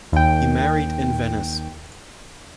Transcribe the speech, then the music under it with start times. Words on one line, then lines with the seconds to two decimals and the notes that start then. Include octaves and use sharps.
He married in Venice.
0.12 D#2 G5